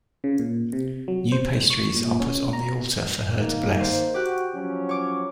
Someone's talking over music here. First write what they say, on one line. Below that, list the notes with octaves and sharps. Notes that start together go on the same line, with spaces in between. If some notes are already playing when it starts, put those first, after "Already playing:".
New pastries are put on the altar for her to bless.
C#3
A#2
C3
F#3
C5
C#6
A#2
C#4
A#5
D#3 A#3 D#4
C5
F#4 G4 F#6
F3 F#3 C#4
C#5 D6